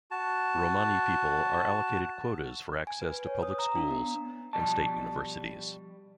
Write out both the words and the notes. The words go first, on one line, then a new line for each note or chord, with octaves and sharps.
Romani people are allocated quotas for access to public schools and state universities.
F#4 A5
G#5
B4
C#5
D#6
A#5
D4
B3
B2 F3 G3 D#5 A5